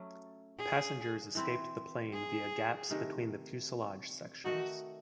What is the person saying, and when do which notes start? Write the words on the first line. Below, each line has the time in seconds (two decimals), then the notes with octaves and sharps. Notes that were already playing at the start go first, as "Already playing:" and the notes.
Passengers escaped the plane via gaps between the fuselage sections.
Already playing: F#3 A3 C#4
0.58 G#4
1.35 E3 C4 E4
2.12 G#4
2.90 C3 D#3 A3
4.44 D#3 A3 D#4 F#4